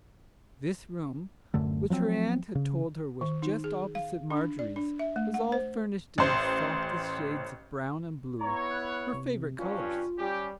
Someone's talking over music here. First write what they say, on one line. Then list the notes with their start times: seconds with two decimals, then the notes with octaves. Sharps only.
This room--which her aunt had told her was just opposite Marjorie's--was all furnished in the softest shades of brown and blue, her favourite colours.
1.54 D1 F#2 D3 A3
1.90 F3 F#3 A#3 C4
2.55 C#3
3.21 D#3
3.42 D#4
3.64 G#4
3.95 F5
4.30 D4
4.59 D5
4.76 D4
4.99 E5
5.16 A3
5.34 F#5
5.52 C5
6.18 A1 C5
8.41 B3 E4 C#5 A#5
8.71 F#6
9.13 C3
9.59 G2 C#4 F4
10.18 G3 C#4 G4